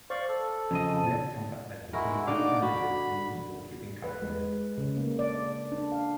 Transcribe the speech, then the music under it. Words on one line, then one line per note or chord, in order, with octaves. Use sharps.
He left Tampa as the team's all-time leader in most goalkeeping categories.
C5 D5 F5 C#6
A4
F2 C#3 D#5
A5
G#3 E4 F#4 A#4
D3 D#4 D5 F5 D6
F#4 B5
B4
G#3
C#3
A#3
D5
D4
F5